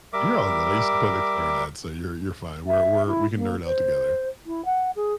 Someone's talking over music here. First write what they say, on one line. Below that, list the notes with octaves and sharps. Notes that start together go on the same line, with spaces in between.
You're all good, I used to play the clarinet, so you're you're fine. We're we're we can nerd out together.
G3 A#4 E5 D6
E5
E4
A#3
C5
E4
F#5
G#4